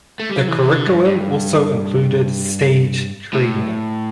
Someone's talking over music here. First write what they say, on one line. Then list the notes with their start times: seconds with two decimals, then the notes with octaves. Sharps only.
The curriculum also included stage training.
0.20 A3
0.29 G3
0.39 F#3
0.48 E3
0.68 D3
0.87 G2
1.06 G2
3.33 A2